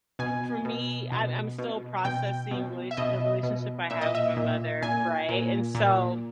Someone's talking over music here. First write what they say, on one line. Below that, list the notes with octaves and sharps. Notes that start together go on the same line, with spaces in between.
for me, I'm I'm still processing relation the relationship I have with my mother, right, and so
B2 G#5
B2
B2
B2
B2 G5
B2
E5
B2 D#5
B2
A#2 E5
D#5
E5
A#2
A#2 G#5
A#2
A#2